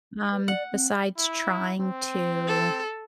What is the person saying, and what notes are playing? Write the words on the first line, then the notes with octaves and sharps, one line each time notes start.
um, besides trying to
B4
D5 F#5
C4
E4
C4
A4